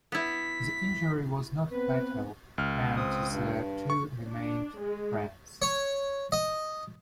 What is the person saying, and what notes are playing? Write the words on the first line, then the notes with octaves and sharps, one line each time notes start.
The injury was not fatal, and the two remained friends.
B3 E4 B6
B3 C4 B4
C#2 F6
C4 D#6
G2
C#6
D4
G#3
C#5
D#5